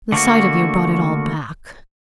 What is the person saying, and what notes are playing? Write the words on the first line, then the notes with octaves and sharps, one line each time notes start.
The sight of you brought it all back.
D3 A3 A#3 F#4